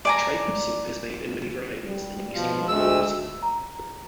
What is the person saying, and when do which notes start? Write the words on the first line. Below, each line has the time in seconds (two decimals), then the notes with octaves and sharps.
Tripe soup is made in many varieties in the Eastern European cuisine.
0.05 D5 G#5 A#5
1.85 G3
2.33 B2 F3
2.68 D2 G#3 E6
3.43 A#5